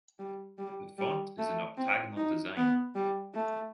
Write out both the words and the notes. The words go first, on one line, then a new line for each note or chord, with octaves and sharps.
The font is an octagonal design.
G3
G3
G3
A3
C4
D#4
B3
G3
A3